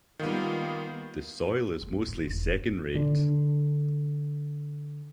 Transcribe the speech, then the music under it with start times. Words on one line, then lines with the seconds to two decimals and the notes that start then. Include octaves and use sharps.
The Soil is mostly second rate.
0.19 D#3 G3 A#3 B3 F4
1.82 A2
2.08 D#3
2.28 E1
2.95 D3 D4